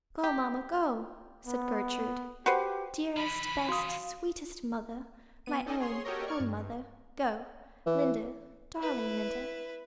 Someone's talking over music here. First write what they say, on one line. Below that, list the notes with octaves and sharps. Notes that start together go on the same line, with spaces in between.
'Go, mamma, go,' said Gertrude; 'dearest, best, sweetest mother--my own, own mother; go, Linda, darling Linda.
G4
B3
F#4 G4 B4 C5
E3 F3 B5
F#4 F5 D#6
B3 D#7
C#4 D#4 A4 D5 D#5
G#4 C#5 C6
F#4 G4 A4 A#4 C#5 D#5
D5 C#6 F6 G#6
G2
E3
E4 B4